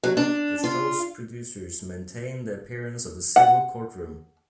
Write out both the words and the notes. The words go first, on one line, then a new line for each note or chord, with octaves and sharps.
The show's producers maintain the appearance of a civil courtroom.
F#3
D4
F4
F#5